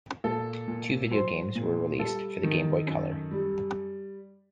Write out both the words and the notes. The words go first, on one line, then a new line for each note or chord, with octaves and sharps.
Two video games were released for the Game Boy Color.
A#2 A4
A#2
F#3 C5
A#2
G3 A4
D#3
F#2
G3